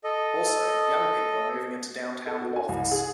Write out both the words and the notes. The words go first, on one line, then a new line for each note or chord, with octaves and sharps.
Also, young people are moving into downtown lofts.
A4 D#5
A4
F#4
G#5
C2
G#4